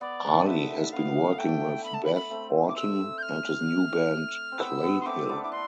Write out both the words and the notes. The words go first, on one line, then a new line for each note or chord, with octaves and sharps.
Ali has been working with Beth Orton and his new band Clayhill.
B3 D5
D4
C4
B3
A3 E5
B3 F5
A3 G5
B3 B5
A5
B5
B5
A3 C4
D6
E6
G6
F6
C4
B3 E6
B3
C6
A3 C4 D6
B3 D4
E4 D6
D4 C6